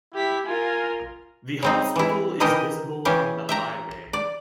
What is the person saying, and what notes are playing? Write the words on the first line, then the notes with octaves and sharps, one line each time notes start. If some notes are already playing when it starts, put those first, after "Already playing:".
The hospital is visible from the highway.
E4 G4 B6
F4 A#4 G#5
C#3 C4 D#4
E3 E4
E3 D#4 E4 G4 A#4 D#5
C#3 E3 C#4 G4
E5 G5 A#5
D5